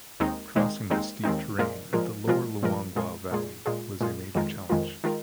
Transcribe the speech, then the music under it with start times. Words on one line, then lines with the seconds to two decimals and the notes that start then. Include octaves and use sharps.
Crossing the steep terrain of the lower Luangwa valley was a major challenge.
0.20 D#2 D#3 G#3 C4 D#4
0.55 D#2 D#3 G#3 C4 D#4
0.90 D#2 D#3 G#3 C4 D#4
1.23 D#2 D#3 G#3 C4 D#4
1.58 A#2 F3 G#3 F4 A#4
1.93 A#2 F3 G#3 F4 A#4
2.27 A#2 F3 G#3 F4 A#4
2.62 A#2 F3 G#3 F4 A#4
2.96 A#2 G#3 F4 G#4
3.31 A#2 G#3 F4 G#4
3.66 A#2 G#3 F4 G#4
4.00 A#2 G#3 F4 G#4
4.35 F2 D#3 G#3 F4 A#4
4.69 F2 D#3 G#3 F4 A#4
5.04 D#3 G#3 F4 A#4